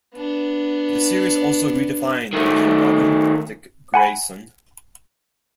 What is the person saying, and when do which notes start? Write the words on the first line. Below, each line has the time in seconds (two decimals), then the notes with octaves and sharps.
The series also redefined the original Robin, Dick Grayson.
0.14 B3 D4
2.33 D#3 A3
3.94 F#5 G#5 B5